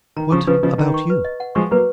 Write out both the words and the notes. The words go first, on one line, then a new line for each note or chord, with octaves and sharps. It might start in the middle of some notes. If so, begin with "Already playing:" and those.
What about you?
D#3 A#5
C#3 F3 C#6
C#3 F3 B4
C#3 F3 D#5
D#3 A#5
C#6
B4
D#5
F#5
F3 G#3 C#6
F#3 A#3 B4